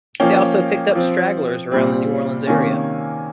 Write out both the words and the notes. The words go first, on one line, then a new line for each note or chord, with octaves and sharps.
They also picked up stragglers around the New Orleans area.
F3 A#3 C#4 G5
F3 C4
A#2 G3 C4
C3 D#3 A#3 C#4 G#5